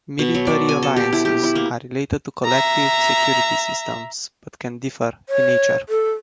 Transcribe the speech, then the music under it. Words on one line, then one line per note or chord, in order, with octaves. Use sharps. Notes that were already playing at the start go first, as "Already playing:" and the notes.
Military alliances are related to collective security systems but can differ in nature.
B2
F#3
D5
G#5
A4
G4
E4
G4
E4
A#3
E5 A#5
C#5
A4